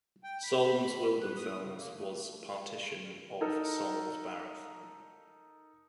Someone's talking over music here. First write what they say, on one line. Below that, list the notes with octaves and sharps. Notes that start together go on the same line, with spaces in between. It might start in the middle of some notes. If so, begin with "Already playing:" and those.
Solms-Wildenfels was a partition of Solms-Baruth.
G5
B5
B4
D#6
C#3
A#3
A3
D#4 A4 A#4